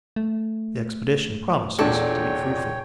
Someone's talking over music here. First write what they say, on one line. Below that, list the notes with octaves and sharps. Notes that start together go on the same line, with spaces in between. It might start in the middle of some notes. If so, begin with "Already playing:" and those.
The expedition promises to be fruitful.
A3
E2 A#2 D4 A4 C#5 G5